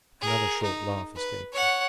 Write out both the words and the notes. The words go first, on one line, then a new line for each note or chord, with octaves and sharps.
Another short laugh escaped him.
G#4 A#4
D#4
B4
C#5 F#5